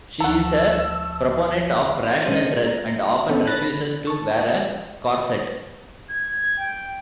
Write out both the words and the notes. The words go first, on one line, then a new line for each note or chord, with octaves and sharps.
She is a proponent of rational dress, and often refuses to wear a corset.
D2 F3 F#5 A5 A#5 C#6 E6
B1 G#3 C#4 D4 C5 D#7
A#5
B3 C#4 D4 A4
B5 F#6 A6 A#6
A5 C#6
G#6
G5